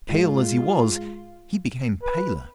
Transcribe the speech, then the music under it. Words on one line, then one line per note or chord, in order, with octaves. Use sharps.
Pale as he was, he became paler.
G#2 G#3 F4
B4